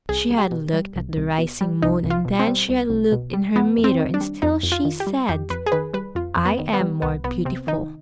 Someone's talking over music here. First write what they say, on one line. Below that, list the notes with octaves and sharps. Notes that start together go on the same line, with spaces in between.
She had looked at the rising moon, and then she had looked in her mirror and still she said, "I am more beautiful."
C2 G#4
C2
G4
B2
G3
C2
C2
B2
G3
C2 D#4
C2
F4
B2
C4
G3
C2
C2
B2
G3
F2 B3
F2
C4
D#3
D4
G3
F2 D#4
F2
F4
D#3
G4
G3
F2 G4
F2 B4
G#4
D#3 B4
G3 B4
F2 F4
F2
B3
D#3
B3
G3
C2 B3
C2 B3
C3 C4
D#3 D#4